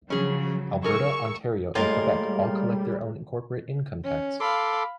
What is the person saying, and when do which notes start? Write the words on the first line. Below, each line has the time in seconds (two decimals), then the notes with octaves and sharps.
Alberta, Ontario and Quebec all collect their own corporate income tax.
0.10 C#3 F3 F#3 C#4 G#4
0.84 G#4 A#4 C#6 E6
1.75 A2 G3 G#3 A#3 F4 A#4
4.04 C#4
4.40 A4 F5 B5 C6 D6